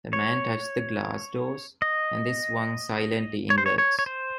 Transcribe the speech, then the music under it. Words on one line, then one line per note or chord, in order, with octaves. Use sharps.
The man touched the glass doors, and they swung silently inwards.
C#5
D#5
C#5
C5
C#5
C#5
C#5
C5